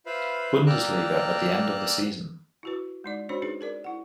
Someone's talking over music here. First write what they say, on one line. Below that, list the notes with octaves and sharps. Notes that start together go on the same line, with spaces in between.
Bundesliga at the end of the season.
F4 B4 C5 E5 F5 B5
A#3 D5 G5 A#5 E6 F#6
E4 F#4 B4
G#3 D#4 D5
C#4 D4 F#4 C5 C#5 B5
D4 D#4 G#4 B4
G#4 A#4 D5
E4 F#5